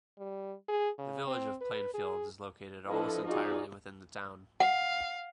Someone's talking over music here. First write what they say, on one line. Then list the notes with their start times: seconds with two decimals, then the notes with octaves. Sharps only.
The Village of Plainfield is located almost entirely within the town.
0.18 G3
0.68 G#4
0.98 C#3
1.27 C4
1.61 B4
1.94 G#4
2.88 F3 D4 E4 A4 B4 D#5
3.25 D#4 F4 F#4 G#4 D5
4.60 F5 F#5